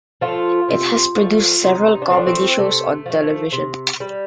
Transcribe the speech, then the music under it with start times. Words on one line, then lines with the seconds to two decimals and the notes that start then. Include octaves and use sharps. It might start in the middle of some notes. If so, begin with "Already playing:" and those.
It has produced several comedy shows on television.
0.21 F3 A3 F4
0.69 C3
1.16 F3 A3
1.64 C3 D#4
1.95 D#4
2.02 D4
2.10 F3 A3 C4
2.17 D4
2.27 C4
2.58 C3 A3
3.06 F3 A3
3.52 C3
4.00 G3